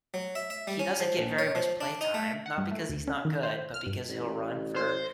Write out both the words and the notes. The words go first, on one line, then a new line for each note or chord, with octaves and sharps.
He doesn't get very much playtime, not because he's not good, but because he'll run for
F#3
E5
E5
G3
C#4
F3
A#1
C#5
F3
D4
D#4
A3
F#5
G2
A3
D2
C#4
D#3
C5
F6
G2
A1
C5